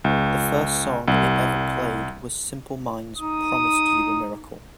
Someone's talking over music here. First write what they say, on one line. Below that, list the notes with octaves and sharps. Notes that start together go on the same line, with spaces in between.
The first song it ever played was Simple Minds' "Promised You a Miracle".
C#2
C2
D#4 D#6